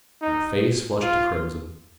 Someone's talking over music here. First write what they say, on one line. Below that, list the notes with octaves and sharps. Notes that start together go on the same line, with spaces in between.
Her face flushed to crimson.
D#4
F4